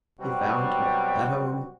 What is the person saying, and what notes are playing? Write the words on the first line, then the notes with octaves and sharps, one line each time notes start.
He found her at home.
B2 F#3 G3 C4 F#4